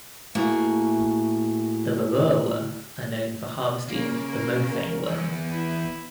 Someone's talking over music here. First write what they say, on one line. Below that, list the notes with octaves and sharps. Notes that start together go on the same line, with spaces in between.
The babirwa are known for harvesting the mophane worm.
A2 A#3 F#4 G#4 E5
C#3 A#3 A#4
E2 B3
E4